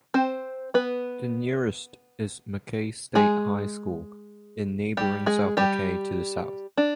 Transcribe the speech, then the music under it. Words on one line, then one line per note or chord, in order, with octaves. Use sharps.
The nearest is Mackay State High School in neighbouring South Mackay to the south.
C4 C5
B3 B4
G#3 G#4
G3 G4
G#3 G#4
G3 G4
D4